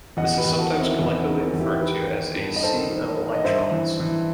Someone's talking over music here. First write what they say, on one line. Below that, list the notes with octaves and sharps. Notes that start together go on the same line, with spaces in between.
This is sometimes collectively referred to as a "sea of electrons".
E2 D#5 F#5
G4 B4
E2
F#4 A4
D#3 F#4
C4 E4
E2
B3
D#3
C4
E2
E4 G4
D#3 G4 B4
D#3
G2
D#5
D#3 A4 C5
D#3
D#3
D#5
G2 C5 E5
E3
E3